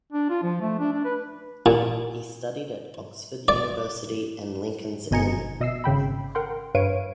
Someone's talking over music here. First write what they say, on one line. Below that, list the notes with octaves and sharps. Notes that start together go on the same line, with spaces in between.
He studied at Oxford University and Lincoln's Inn.
D4
F4
F3
A3
D4
D4
B4
A#2
D5
G1 B2 D#5 G#5 A#5 C#7
B2 D#5 E5 E6 C7
G#1 C#3 G5 B5
A#4 F#5 G5 C6
G2 B4 C#5 F5 D7 D#7